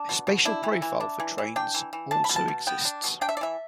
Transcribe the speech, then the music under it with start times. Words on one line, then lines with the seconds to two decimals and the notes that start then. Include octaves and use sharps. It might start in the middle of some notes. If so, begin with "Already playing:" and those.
A special profile for trains also exists.
Already playing: D4
0.09 B2
0.27 B2
0.45 D4 E4
0.64 E3
0.82 E3
1.00 D4
1.20 E3
1.38 E3
1.56 D4 G5
1.74 E3
1.93 E3
2.11 D4 A5
2.24 B5
2.29 B2
2.36 A5
2.48 B2
2.67 B3 G5
2.85 D4
3.04 B2
3.21 D4 G5
3.29 E5
3.37 D5
3.41 E3 E5